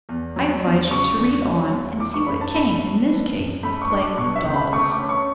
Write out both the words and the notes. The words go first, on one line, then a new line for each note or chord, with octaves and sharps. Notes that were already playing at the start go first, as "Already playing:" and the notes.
I advise you to read on, and see what came in this case of playing with dolls.
E2
F#3
E2
C#3 C#6
E2
F#3
E2
E3 D6
C#6
F#2 B5
A5
A3 B5
D4
E3
F#2
A3 B5
C#6
D4
D6
B2 C#6
E5
C#2
B5
A3 C#6
D6
C#4
C#6